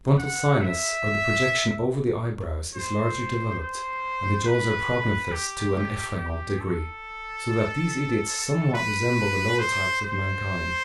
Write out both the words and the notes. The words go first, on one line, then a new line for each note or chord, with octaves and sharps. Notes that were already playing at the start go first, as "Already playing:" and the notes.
The frontal sinus, or the projection over the eye-brows, is largely developed, and the jaws are prognathous to an "effrayant" degree; so that these idiots somewhat resemble the lower types of mankind.
F#5
E5
C5
C5
B4
G4
G4
A4
B4
C5
C5